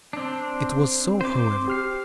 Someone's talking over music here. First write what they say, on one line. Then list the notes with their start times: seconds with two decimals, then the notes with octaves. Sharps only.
It was so, however.
0.13 C4 D4
1.21 C4 C5 D6
1.68 G4 F6 C7